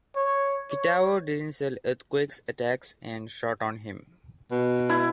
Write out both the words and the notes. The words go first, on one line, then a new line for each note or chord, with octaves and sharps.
Kitao didn't sell Earthquake's attacks and shot on him.
C#5
C#5
B2
E4